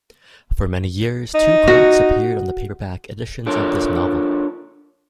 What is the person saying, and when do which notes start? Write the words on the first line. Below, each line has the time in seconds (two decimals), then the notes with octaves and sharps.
For many years, two quotes appeared on the paperback editions of this novel.
1.35 D#4
1.68 F#4
3.46 D4 F4 A4 A#4 C#5